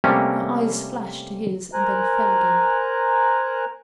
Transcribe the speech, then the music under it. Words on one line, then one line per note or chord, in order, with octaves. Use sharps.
Her eyes flashed to his and then fell again.
C3 G3 A3 A#3 C4 C#4
A#4 C5 G#5 A#5 F#6